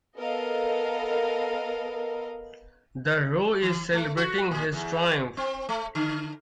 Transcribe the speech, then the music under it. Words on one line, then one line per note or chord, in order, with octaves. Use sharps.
The rogue is celebrating his triumph.
B3 A4 A#4 D#5 F5
E3
A3
F#4
A#2
E2
C4
A3
D3